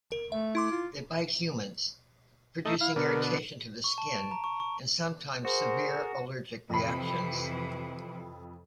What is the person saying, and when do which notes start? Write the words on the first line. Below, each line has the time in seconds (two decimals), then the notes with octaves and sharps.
They bite humans, producing irritation to the skin and sometimes severe allergic reactions.
0.12 A#4
0.32 A3 E5
0.55 E4 C6 D6
0.71 F4
2.65 A3 D#4
2.81 E4 F5
2.96 B2 D3 A#4
3.84 C#6
3.98 A5
4.09 D7
4.31 A#5
4.44 C#6
4.60 C#6
5.45 F#4 G#4 A#4 C5
6.70 F2 C3 E3 B5